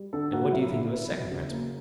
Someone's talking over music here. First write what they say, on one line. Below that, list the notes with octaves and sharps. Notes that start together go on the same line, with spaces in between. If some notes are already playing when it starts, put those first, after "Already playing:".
And what do you think of a second principle?
Already playing: G3
D3 A4
A#3 F#4
F#3 E4
A#2
B3
F#3
C#3
A#3